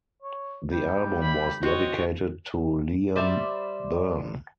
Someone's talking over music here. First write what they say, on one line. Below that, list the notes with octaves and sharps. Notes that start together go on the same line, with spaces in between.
The album was dedicated to Liam Byrne.
C#5
G3 G6
B5
C4 F#4 C#5 D#5
G3 C5 D5 E5